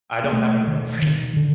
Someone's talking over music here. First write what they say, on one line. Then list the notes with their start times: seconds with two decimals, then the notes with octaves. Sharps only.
I don't have a girlfriend.
0.24 A#3
0.32 B2 A3
0.67 B2 D#3
1.02 B2 D#3
1.36 B2 D3